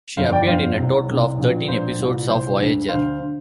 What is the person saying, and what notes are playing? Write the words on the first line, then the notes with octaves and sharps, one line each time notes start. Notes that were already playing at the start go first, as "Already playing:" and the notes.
She appeared in a total of thirteen episodes of "Voyager".
G1 F2 D3 C5 F5
D5 G5
G1 F2 D3 C5 F5
C2 C3
C2 C3
A#1 A#2
A#1 A#2 C5
C2 A#2
C2 A#2 C5
D2 D3
D2 D3 C5 F5
D3